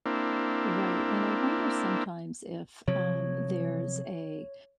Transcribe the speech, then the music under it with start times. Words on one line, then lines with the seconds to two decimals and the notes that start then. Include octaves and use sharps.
Right, and I wonder sometimes if, um, there's a
0.06 A#3 C4 D4 E4
2.88 C3 F3 F#3 C#5